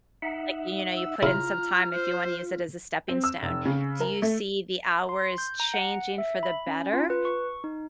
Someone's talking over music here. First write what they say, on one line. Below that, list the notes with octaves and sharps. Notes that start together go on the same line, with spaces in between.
like, you know, you put in some time if you wanna use it as a stepping stone, do you see the hours changing for the better?
D#4 E5 F#5
E6
C#3 E4 F4 A#5 F6
C5
C4
E6
F1
C#3
A#4
A3
C6
G6
A#5
F#5
E5
B5
C#4
F4
B4
C#6
D#4